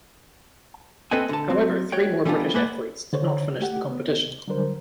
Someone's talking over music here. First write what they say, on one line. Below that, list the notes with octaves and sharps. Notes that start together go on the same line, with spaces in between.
However, three more British athletes did not finish the competition.
C4 A4 B4 D#5 G5 G#5
D3 A5
F#3 C4
F#4 C#5 G5
E3 G3 A3 B3 D4 F4
G#3 A#3 B4 F#5
D3 D4 C5 C#5
A3 G4 F#5
B3
D3 F#3 G3 D4 A#4 C5